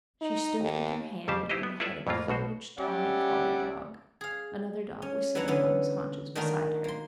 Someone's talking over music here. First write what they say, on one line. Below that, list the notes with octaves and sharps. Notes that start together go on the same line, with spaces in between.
She stood with her hand on the head of a huge, tawny collie dog; another dog was sitting on his haunches beside her.
D#4
D#2
F2 C#3 G3 G4 C5 A5
D#4 E4 G4 B4 C5 D#5
B3
E4 F4 A4 B4 D5 E5
F2 A2 E3 A#3 F4
B1 B2 F#4 C5
G3 C#4 G4 D5 E5 F#5
G#4 F5
C#4
E3 F#3 D4 E4 F#5 A#5
D3 E3 B3 C#4
D#3 A3 D4 F4 F#4 A#4
A#3 C6